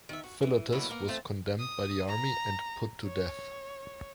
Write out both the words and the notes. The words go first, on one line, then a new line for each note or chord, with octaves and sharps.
Philotas was condemned by the army and put to death.
D#3 E5
F#4
E3
B2 F#3 A3 A#3 E4
A#3 B3 A#4
A3 C4 F4
D#6
A#5
C#5